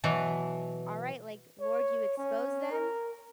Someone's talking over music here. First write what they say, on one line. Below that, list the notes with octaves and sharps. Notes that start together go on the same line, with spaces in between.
All right, like, "Lord, you expose them,
B2 E3 F#3
C#5
C#4
A#4